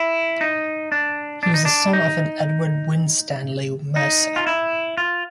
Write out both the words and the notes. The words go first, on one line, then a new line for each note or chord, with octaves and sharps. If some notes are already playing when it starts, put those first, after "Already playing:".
He was the son of an Edward Winstanley, mercer.
Already playing: E4
D#4
D4
D4
D#4
D4
D#4
D#4
F4
E4
F4